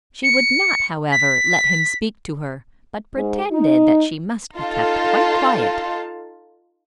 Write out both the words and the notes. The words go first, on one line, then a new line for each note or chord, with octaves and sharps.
She would not, however, let him speak to her, but pretended that she must be kept quite quiet.
C#7
B6
G#2
D#4
D#4 F4 A4 F5 A5